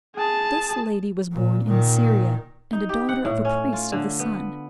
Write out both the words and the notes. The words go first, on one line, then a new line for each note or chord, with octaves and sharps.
This lady was born in Syria, and a daughter of a priest of the sun.
G#4 A5
A#2
A#2 D#3
D#4
G4
F#5
A2
C#4
F4
D3
B3